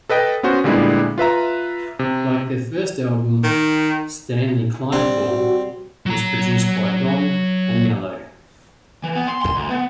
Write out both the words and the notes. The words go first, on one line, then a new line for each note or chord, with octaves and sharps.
Like their first album, "Stanley Climbfall" was produced by Ron Aniello.
A4 B4 D#5 G5
B3 C#4 F#4 C5
A#2 D3 G3 G#3 B3 E4
F4 B4 E5 A#5
C3
D#3
G3 C4
F#4
F#3 A#5
E3
B3
C6
C6
D2
B3